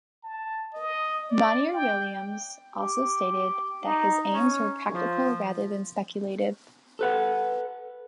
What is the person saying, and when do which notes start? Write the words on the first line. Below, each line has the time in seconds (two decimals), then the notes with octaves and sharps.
Monier Williams also stated that his aims were practical rather than speculative.
0.23 A5
0.74 D#5
1.29 D5
1.73 G5
2.76 G4
3.84 D#4
4.33 C#4
4.94 F3
6.99 A4 B4 F#5